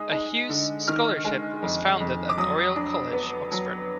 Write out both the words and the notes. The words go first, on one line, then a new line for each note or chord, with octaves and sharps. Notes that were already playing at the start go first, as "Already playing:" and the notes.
A Hughes Scholarship was founded at Oriel College, Oxford.
Already playing: G#3 D#4 D#6
D#4
D3
D#3 F6
G#3
F2
F2
D6
F#3 D#6
D4
B3
F#3